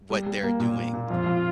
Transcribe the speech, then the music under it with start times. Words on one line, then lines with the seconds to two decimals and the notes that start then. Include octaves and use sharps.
what they're doing,
0.10 G3
0.26 G3
0.43 A#3
0.60 A#2
0.76 A#2
0.93 A#2
1.10 F2 F4
1.26 F2